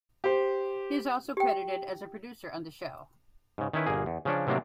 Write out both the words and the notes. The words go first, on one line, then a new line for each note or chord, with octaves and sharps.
He is also credited as a producer on the show.
G4 C5
G4 G5
G#2 C#3
D#3 C#4 E4 B4
G1 A#2 A#3 G#4
E2
C#3 F3 C#4 D4
A2 C3 F#3 A#3 D4